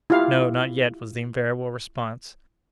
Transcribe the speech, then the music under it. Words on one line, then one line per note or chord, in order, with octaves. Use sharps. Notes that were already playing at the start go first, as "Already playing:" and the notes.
"No, not yet," was the invariable response.
E4 F4 G4 F5